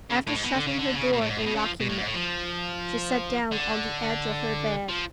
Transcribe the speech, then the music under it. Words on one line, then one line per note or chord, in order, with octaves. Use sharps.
After shutting her door and locking it, she sat down on the edge of her bed.
C#3
A2
G#2
B2
D3
C#3
D3
C#3
B2
A2
G#2
A2
B2
C#3
F3
B2
A2
G#2
A2
F3
D3
F3